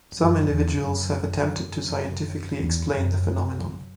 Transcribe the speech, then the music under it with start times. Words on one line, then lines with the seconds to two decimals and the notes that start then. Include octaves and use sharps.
Some individuals have attempted to scientifically explain the phenomenon.
0.18 F#2
0.49 E2
0.79 F#2
1.39 F#2
2.60 E2
2.91 F#2